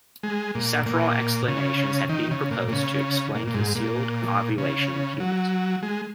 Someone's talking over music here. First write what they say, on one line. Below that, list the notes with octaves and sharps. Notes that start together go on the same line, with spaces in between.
Several explanations have been proposed to explain concealed ovulation in humans.
G#3
A#2
A#2
C#3
D#3
C#3
A#2
A#2
C#3
A#2
A#2
G#2
A#2
C#3
F#3
G#3